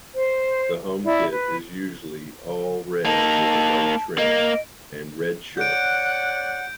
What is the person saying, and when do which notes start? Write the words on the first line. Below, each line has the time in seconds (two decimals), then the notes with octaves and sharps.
The home kit is usually all red with a white trim, and red shorts.
0.14 C5
1.04 E4 D5
1.31 B4
3.05 A#3 D#4 A5
4.18 A#3 D#5
5.57 C#5 D5 F#5 G6 D7